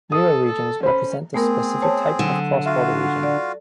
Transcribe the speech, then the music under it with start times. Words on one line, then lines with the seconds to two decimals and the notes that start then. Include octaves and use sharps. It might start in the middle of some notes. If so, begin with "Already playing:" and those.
Euroregions represent a specific type of cross-border region.
0.12 A4 D#6
0.46 A4
0.83 C#4 C5 B5
1.34 A3 B3 C4 G#4 A#4
1.82 C5 C#5 A5
2.19 D3 F#3
2.66 F4 F#4 E5 F5
3.23 D5